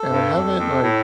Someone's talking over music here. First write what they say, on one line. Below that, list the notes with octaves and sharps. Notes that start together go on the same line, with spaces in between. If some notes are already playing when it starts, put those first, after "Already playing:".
and I haven't, like,
Already playing: A4
G2
F2
F2
A2